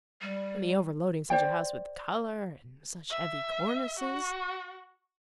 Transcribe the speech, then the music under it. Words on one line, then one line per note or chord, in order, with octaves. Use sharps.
And the overloading such a house with colour and such heavy cornices!'
G3
C5 D5 G5
E5
F#4